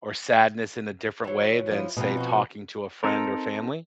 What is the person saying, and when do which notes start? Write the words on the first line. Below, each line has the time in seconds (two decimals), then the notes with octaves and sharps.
or sadness in a different way than, say, talking to a friend or family?
1.24 E3 F#3
1.71 F3 E4
1.97 B2 F3 A#3 C4 D#4
2.17 D#4 F#4
3.03 C4 D#4 A4 A#4